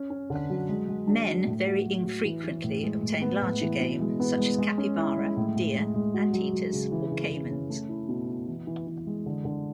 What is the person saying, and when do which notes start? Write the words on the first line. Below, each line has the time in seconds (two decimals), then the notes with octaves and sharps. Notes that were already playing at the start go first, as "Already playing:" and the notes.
Men very infrequently obtain larger game such as capybara, deer, anteaters, or caimans.
Already playing: C#4
0.10 C#4
0.30 D3
0.50 F#3
0.69 G#3
0.88 G#3
1.07 D4
1.27 F#4
1.47 A2
1.67 F#4
1.86 F#3
2.05 F#4
2.25 E3
2.44 E3
2.64 A2
2.83 G#3
3.03 A2
3.22 B3
3.42 A2
3.61 E3
3.80 B2
4.00 G#3
4.20 B3
4.38 G#3
4.58 G#3
4.78 C#4
4.97 E4
5.17 G#3
5.37 A2
5.56 A2
5.75 G#3
5.94 G#3
6.14 F#4
6.33 F#3
6.53 F#3
6.73 C#3
6.92 E3
7.11 C#3
7.31 C#3
7.50 C#4
7.70 A3
7.89 E4
8.09 B2
8.28 E4
8.48 E3
8.67 E3
8.87 E3
9.07 G#3
9.26 D3
9.45 D3